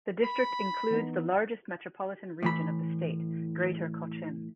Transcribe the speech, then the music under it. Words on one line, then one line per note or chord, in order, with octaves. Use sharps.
The district includes the largest metropolitan region of the state, Greater Cochin.
B5
E3 B3 D#4
A2 E3 B5